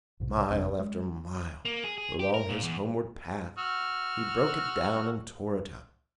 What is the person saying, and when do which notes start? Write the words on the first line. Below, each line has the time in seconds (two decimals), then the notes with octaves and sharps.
Mile after mile along his homeward path he broke it down and tore it up.
0.20 B1 G#2 C3
0.49 G#1 F2 C3 D4
0.79 G#3
1.65 A#3
1.84 G#4
1.98 G#4
2.19 G4
2.34 A#4
2.49 A#2
2.63 E2
3.58 F#4 E6 F6